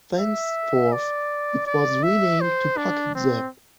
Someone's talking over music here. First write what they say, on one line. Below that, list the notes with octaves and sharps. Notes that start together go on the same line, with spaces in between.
Thenceforth, it was renamed to PocketZip.
E5
D5
D5
E5
C5
D4
C4